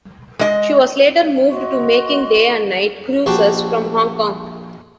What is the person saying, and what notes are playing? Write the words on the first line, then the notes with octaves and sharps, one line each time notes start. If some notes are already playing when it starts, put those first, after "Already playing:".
She was later moved to making day and night cruises from Hong Kong.
G#3 D#5
F#4 D#5 C6 C#6
A#1 F#4 G4 G5 A5 C6